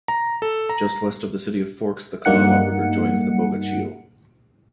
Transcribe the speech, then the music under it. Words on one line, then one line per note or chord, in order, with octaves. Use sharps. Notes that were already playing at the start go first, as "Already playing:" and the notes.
Just west of the city of Forks the Calawah River joins the Bogachiel.
A#5
A4
A#5
G2 G3 A#3 D#4 F#5 C#7